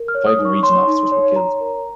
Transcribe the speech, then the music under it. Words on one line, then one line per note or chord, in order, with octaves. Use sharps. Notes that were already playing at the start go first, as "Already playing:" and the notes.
Five Norwegian officers were killed.
Already playing: A#4
F6
C#5
D#6
D#4
C#6
C#5 C6
D#4
C#5
C#5 A#5
A#4